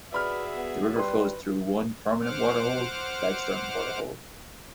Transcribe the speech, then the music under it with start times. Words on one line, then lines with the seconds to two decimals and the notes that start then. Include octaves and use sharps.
The river flows through one permanent waterhole; Flagstone waterhole.
0.13 F#4 G#4 B4 D5 E5 B5 F6
0.55 B3
0.96 G3 B4 C6
2.22 C5 F#5 D6 F6